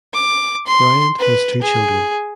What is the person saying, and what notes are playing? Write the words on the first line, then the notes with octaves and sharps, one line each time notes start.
Bryant has two children.
D6
C6
B4
G#4